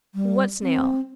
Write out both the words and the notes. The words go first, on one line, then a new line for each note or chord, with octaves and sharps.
"What snail?"
G3
C4